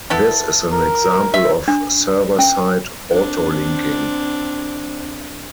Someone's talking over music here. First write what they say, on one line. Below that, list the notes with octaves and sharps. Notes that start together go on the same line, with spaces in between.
This is an example of server-side AutoLinking.
B3 E4 A4
A#4
E5
D4
C#4
C4 D4